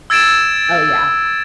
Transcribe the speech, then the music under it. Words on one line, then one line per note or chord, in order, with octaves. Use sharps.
Oh, yeah.
E6 G#6 A6 D7 E7